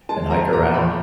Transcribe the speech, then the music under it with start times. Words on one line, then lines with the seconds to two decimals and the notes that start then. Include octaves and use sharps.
and hike around.
0.09 G#3 A5
0.30 F3 A#5
0.53 A#2 A#5
0.74 F3 B5